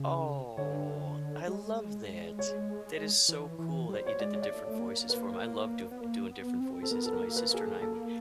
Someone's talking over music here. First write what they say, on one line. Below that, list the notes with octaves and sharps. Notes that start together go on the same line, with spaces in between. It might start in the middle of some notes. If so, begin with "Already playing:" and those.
Oh, I love that. That is so cool that you did the different voices for him. I love do doing different voices, and my sister and I would
Already playing: C#3
D3 C#5
G#3
C#5
E3
E3
G3 C5
C#5
G#3 D5
C#5
D5
A3
C#5
A#3
B4
B3
A#3
B3
C4
A4
B3 A#4
A4
A#4
A#3
B4
A#3 G#4
A4
A#3 A4